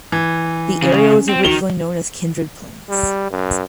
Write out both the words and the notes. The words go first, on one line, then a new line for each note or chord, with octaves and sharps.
The area was originally known as Kindred Plains.
E3
C#3 C#4
C4
D#3 F#4 G7
G3
F#2